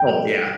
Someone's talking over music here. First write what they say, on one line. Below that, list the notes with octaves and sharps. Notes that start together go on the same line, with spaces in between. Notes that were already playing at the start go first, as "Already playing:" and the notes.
Oh, yeah.
Already playing: G5